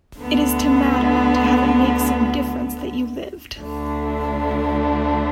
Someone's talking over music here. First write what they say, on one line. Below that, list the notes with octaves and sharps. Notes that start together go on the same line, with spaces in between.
It is to "matter," to have it make some difference that you lived.
D2 D3 B3
D2 D3 A3 D4